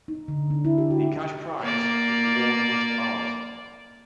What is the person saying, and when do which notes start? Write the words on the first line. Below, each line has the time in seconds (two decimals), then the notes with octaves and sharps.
The cash prize for the award was Rs.
0.08 D#4
0.28 D3
0.50 D4
0.65 E4
0.78 G4
0.91 F#4
1.61 A#3 D5